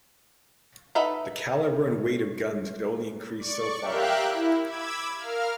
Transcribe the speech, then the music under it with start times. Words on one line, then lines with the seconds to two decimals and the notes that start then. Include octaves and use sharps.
The calibre and weight of guns could only increase so far.
0.95 D#4 A4 B4 E5 F#5
3.38 D5 C#6
3.81 G4 A#4 E5 F5 G5 F#6
4.26 E4
4.63 B5 D6 E6 G#6
5.17 A#4 F5 F6